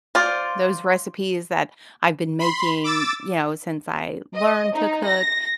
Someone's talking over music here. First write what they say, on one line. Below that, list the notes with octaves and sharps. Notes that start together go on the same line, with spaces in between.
those recipes that I've been making, you know, since I learned to cook.
F4 C5 D5
B5 C6
D6 E6 A6
D#5
D#4
A#6